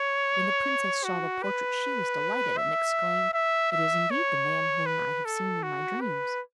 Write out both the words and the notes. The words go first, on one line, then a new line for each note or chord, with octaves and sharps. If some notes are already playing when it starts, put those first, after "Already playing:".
When the princess saw the portrait she was delighted, and exclaimed: 'It is indeed the man whom I have seen in my dreams!
Already playing: C#5
F#4
B4
E5
E5
E5
C#5
B4
A4
F#4
B4